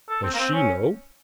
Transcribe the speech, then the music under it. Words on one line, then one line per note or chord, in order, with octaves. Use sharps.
"Does she know?"
A4
C4
A#3
C4
C#4